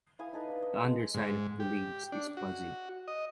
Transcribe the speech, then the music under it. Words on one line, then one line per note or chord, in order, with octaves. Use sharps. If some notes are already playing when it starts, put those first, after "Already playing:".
The underside of the leaves is fuzzy.
E4 F5 G#5 D#6
D#4 A4 B4 D#5
D4 F5 B5
D#5
G#3 A4
G#2
G4
D4
F#4
D#5